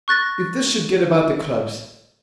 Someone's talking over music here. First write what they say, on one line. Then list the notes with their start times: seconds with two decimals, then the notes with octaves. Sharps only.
If this should get about the clubs!
0.08 C#6 F#6 A6 A#6